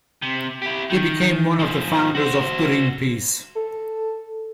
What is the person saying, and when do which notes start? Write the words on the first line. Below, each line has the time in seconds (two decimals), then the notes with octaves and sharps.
He became one of the founders of Greenpeace.
0.22 C3
0.62 E4 G4
0.90 D#3
1.59 G#2 F3
2.15 F#4 C5
3.56 A4